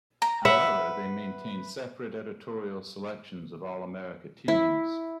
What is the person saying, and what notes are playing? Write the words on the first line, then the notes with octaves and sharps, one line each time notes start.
However, they maintain separate editorial selections of All-America teams.
A#5
B4 E5 F#5
E4